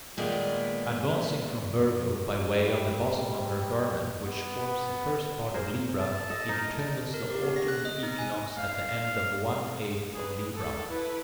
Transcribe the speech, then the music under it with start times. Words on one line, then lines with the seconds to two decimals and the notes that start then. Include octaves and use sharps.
Advancing from Virgo by way of the bosom of her garment, which forms the first part of Libra, he determines the autumn equinox at the end of one eighth of Libra.
0.18 A#2 D#3 G#3 A#3 B3 F4
2.56 G3
4.26 B3
5.54 G#4 A#4 C5
5.99 A5
6.30 A4 D#5
6.49 D#4 A#4
7.14 A#4
7.30 G4
7.43 B3
7.56 A#6
7.68 F#6
7.85 D#5
8.03 D#4
8.19 G#5
8.57 F5
10.12 G#4 B4
10.55 A4
10.89 E4 B4